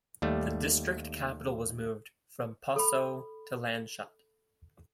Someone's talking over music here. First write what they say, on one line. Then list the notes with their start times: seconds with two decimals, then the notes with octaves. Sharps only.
The district capital was moved from Passau to Landshut.
0.22 D#2 G3 A3
2.76 A4 B5